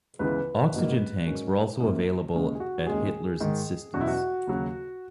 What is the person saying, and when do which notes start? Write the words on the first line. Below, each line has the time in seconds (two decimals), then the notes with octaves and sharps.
Oxygen tanks were also available at Hitler's insistence.
0.19 C#2 C#3 E3 B3 B4
0.73 A#1 G#2 D#3 F#3 A#3
1.26 G#2 F#3 C#4 A#4
1.80 F#2 E3 A#3 C#4
2.34 D#2 C#3 G#3 C#4
2.55 G#4
2.60 F#4
2.87 D#2 D#3 G#3 C#4 G#4
3.40 G#2 D#3 G#3
3.94 E2 B2 F#3 C#4 F#4
4.01 E4
4.07 F#4
4.47 D#2 C#3 F#3